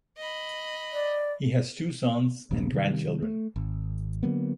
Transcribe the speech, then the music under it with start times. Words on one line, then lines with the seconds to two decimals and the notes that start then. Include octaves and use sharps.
He has two sons and grandchildren.
0.18 D#5 B5
0.93 D5
2.51 D#1 A#1 G2 A#3
2.72 C3 D#3 G3
3.22 A3
3.56 G#1
4.23 D3 F#3 A#3 B3